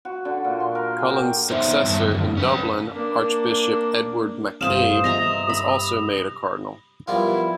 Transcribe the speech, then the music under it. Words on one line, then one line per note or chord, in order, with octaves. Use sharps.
Cullen's successor in Dublin, Archbishop Edward MacCabe was also made a cardinal.
F#4
D3
A#2
C6
A#4
G#4
G4
B3 D#4 C5 C#5 E5
G2 D#3 A3 B3 A5
F#2 D3
C#4 B4
A#3 D4
G1 C3 C5 F5 D#6 E7
D#5 E5 A#5 A#6 E7 F7
B5
F3 G3 B3 E4 F4 A#4